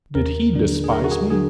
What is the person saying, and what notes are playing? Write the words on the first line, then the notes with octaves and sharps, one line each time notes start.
Did he despise me?
D#2 A#4
D3 F#3 D4
G#4
D#2 A#4
F#4
G#4
D3 F#3 D4 G#4